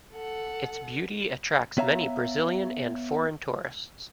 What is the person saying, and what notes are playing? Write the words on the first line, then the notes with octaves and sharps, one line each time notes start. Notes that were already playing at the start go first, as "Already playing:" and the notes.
Its beauty attracts many Brazilian and foreign tourists.
A4 F#5
B3 C#5 E5 F5 A#5